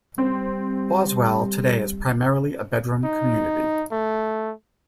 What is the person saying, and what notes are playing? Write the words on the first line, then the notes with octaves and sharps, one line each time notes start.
Boswell today is primarily a bedroom community.
G3 C4
D#4
A3